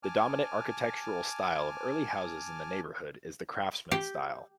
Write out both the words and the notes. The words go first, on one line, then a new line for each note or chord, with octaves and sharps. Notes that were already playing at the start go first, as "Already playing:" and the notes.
The dominant architectural style of early houses in the neighborhood is the Craftsman style.
G#5 A5 D6 F6
G4